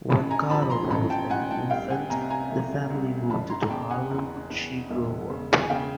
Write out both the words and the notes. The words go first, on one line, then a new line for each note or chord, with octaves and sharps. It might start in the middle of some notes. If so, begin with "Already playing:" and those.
When Carroll was an infant, the family moved to Harlem, where she grew up.
A1 A5 B5
G#5 A#5
F3 A5 B5
B5
A#5 C6
A1 A5 B5
G5 A5
A1 F#5 G#5
G5 A5
C2 F5 G5
F#5 G#5
C3 G#5 A#5
G#5 A#5
A3
C2
F#1 A5 B5
A#5 C6
A#5
C#3 G5 A5
F#5 G#5
E2
E2
E1
C#3
G#5
C#3 F5 G5